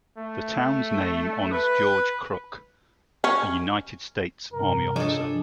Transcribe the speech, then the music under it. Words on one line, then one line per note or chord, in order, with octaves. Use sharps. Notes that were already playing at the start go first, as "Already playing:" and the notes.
The town's name honors George Crook, a United States Army officer.
A3
B4
C#4
G2 C3 A#4
F3 D4 G#4 A4 C#5 D#5